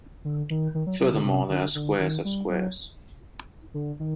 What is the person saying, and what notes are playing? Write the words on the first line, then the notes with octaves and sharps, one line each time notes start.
Furthermore, they are squares of squares.
D3
D#3
D#3
F#3
F#3
D3
C3
D3
D3
D#3
G3
F#3
D3
D#3